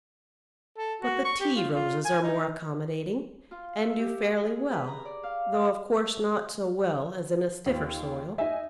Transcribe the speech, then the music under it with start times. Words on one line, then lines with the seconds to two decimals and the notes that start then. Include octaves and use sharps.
But the Tea Roses are more accommodating, and do fairly well, though, of course, not so well as in a stiffer soil.
0.78 A4
1.02 F#4
1.25 C#6
1.40 G4
1.56 F4
1.74 F4
2.05 G#5
2.23 D#4
3.51 F4
3.82 E5
3.99 G4
4.22 G#4
4.43 G#4
4.71 B4
4.88 A#5
5.05 D5
5.23 F5
5.52 F5
7.66 D#2 F4
8.38 D#4 E5 G#5